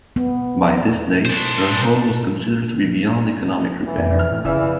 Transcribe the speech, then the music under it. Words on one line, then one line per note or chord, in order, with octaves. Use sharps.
By this date her hull was considered to be beyond economic repair.
B3
D4 C5
E3
F2 D5
A1 F6
A2
F1 C#3 E3 D5 E6
F2